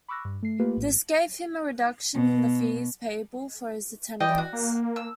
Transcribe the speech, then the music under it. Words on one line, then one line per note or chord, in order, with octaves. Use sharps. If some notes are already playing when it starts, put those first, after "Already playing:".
This gave him a reduction in the fees payable for his attendance.
B5 C#6 D6 E6 F#6 A#6
G2
A3 C7
A3 A#3 F4 G4 B4
A#1 A2
B2
E3 D5 D#5 G5
F#4
A#3
E6